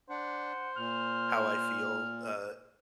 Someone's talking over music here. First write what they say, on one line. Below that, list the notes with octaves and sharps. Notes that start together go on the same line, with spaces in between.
how I feel. Uh,
D4 C5 F#5
A#2 F6